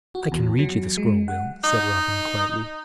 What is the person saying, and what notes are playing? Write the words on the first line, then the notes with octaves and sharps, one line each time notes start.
"I can read you the scroll, Will," said Robin, quietly.
F#4
E2
F#3
G#3
F#5
D#4